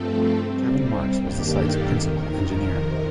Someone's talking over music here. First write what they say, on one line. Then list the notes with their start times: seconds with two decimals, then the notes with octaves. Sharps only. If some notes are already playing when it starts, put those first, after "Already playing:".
Kevin Marks was the site's Principal Engineer.
Already playing: G2 F3 A3 C4 A4
0.37 C3 G3 C4
1.13 G2 D#3 A#3 D4 G4
1.52 A4
1.90 F2 C3 D#3 A#4